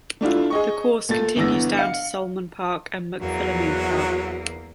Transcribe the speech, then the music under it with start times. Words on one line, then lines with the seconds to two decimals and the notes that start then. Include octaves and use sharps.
The course continues down to Sulman Park and McPhillamy Park.
0.21 A3 D4 E4 F4
0.50 G#4 D#5 C#6
1.09 A#2 A3 A6
1.36 G1 E3 B3 E6 A#6
1.77 F5 C#7
3.21 E2 F#3 A#3